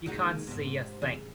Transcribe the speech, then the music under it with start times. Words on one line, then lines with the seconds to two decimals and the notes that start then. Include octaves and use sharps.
You can’t see a thing.
0.06 G1 C2 A#2 G#3 D#4 F#4
0.21 D#3 G3 A#3
0.47 F1 G#2 C3 B3
1.02 E2 C3 G#4
1.17 A1